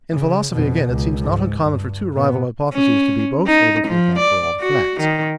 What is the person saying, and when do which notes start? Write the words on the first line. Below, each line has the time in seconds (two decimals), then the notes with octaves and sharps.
In philosophy, again, it seems not uncommon for two rival hypotheses to be both able to account for all the facts.
0.12 C#3
0.54 F2 B2
0.87 C#2
1.21 G#2
1.60 G2
2.13 A#2 B3
2.73 C#4
3.47 D#4
3.87 F3
4.19 D5
4.60 F#4
5.00 D#3